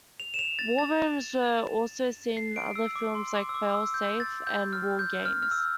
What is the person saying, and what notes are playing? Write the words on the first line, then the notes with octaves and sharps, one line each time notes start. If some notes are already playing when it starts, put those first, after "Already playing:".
War rooms were also seen in other films like "Fail Safe" and "WarGames".
F7
E7
F7
A6
A6
C7
D7
E6
D6
C6
D6
E6
D6
E6
G6
A6
G6
F6
G6
F6
F6
E6